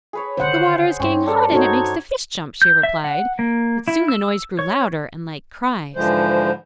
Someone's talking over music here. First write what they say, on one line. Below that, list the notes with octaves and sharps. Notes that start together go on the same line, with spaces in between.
'The water is getting hot, and it makes the fish jump,' she replied; but soon the noise grew louder and like cries.
G#4 B4 C#5
D3 D#3 C5 F#5
G2 C4 C#4
D4 A4 A#4
D#4 F#4 A4 C#5 A5
G6
E5
F#5
A#3
E4
E6
C#5
G#2 D3 E3 F3 G#3 C5